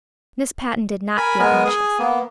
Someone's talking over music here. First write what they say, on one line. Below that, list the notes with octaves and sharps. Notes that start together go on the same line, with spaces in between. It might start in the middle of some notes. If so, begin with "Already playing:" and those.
Miss Patten did not feel anxious.
A#4 G#5 B5
G#3 B3 A#4 G#5
G#4 G#5
A#3 B3